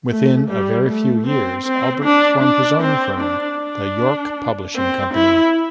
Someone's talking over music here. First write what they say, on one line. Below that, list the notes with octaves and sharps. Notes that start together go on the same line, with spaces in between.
Within a very few years Albert formed his own firm, The York Publishing Company.
A3
G3
A3
C4
C4
D4
D4
C4
D4
D4
C4
E4